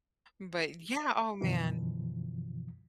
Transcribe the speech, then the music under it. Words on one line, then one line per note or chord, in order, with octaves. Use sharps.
But yeah, oh, man.
F#2 B2 D3 E3 F3